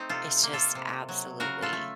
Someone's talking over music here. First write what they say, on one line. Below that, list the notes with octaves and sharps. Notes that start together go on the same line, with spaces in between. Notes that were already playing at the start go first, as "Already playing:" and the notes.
It's just absolutely
Already playing: A3 C4 D#4
C3 F4 A4
A#3
F4 A4
C3
F#3
C#3 F#4 A#4
F4 A4
A3